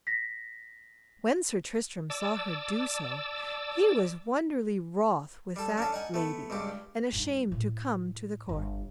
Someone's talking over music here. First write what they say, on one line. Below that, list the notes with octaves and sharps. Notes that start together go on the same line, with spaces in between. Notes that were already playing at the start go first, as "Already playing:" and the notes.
When Sir Tristram saw her do so he was wonderly wroth with that lady, and ashamed to come to the court.
A#6 B6
D5 A5 D6 E6
G3 A4
C#4 D4 A4
D#4 F#5 G#5
A3 B3
C#2 G2 C#3 G4
G2 D#4
A2
G1